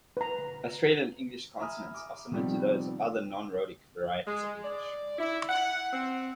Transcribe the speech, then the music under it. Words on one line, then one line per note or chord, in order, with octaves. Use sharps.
Australian English consonants are similar to those of other non-rhotic varieties of English.
B4 A#5
E5 G#5 A#5 B5 D#6 F6
D6
C3 D#3 F3 G3 B3 C4
G#3
D5
E4
F#5
C4